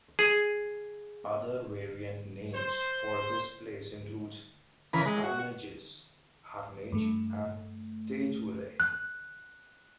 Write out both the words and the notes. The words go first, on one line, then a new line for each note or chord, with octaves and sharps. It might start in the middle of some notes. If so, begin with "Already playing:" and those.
Other variant names for this place include Harnages, Harnage, and Tateville.
G#4
C5
C#3 E3 A#4 B5
G#3
F#4
G2 A3
F#6